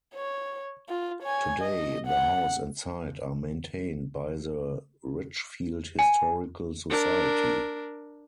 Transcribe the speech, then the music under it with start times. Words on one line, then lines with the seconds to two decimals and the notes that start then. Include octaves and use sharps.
Today, the house and site are maintained by the Richfield Historical Society.
0.15 C#5
0.89 F4
1.23 C#5 G#5
1.59 D#5
2.07 F#5
5.99 G#5
6.91 D4 A#4